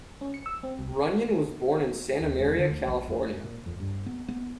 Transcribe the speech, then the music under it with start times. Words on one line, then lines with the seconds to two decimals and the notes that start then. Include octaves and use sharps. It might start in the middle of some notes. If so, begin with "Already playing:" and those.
Runyan was born in Santa Maria, California.
0.21 C#4
0.34 C#7
0.46 E6
0.63 C4
0.79 C2
2.20 D#2
2.38 E1
2.58 D3
2.71 D2
2.87 A#1
3.07 F2
3.44 A#2
3.66 F2
3.80 G2
4.06 B3
4.28 B3